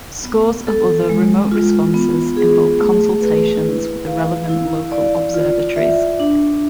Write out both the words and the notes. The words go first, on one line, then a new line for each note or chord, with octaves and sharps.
Scores of other remote responses involve consultations with the relevant local observatories.
B3
A4
G#3
F4
B3
G#4
A3
B4
E4
F5
E4
D5
F4
E5
D4